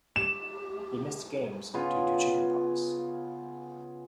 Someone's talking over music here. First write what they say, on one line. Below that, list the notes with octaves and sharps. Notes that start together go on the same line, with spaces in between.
He missed games due to chicken pox.
G4 E7
C#3 B3 F4 G#4